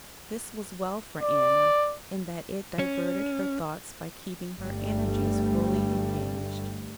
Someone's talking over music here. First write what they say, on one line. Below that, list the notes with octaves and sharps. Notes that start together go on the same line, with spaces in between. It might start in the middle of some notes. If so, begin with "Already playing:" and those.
This was well for Anna, in that it diverted her thoughts by keeping her energies fully engaged.
D5
C#4
G1 G2 G3 A3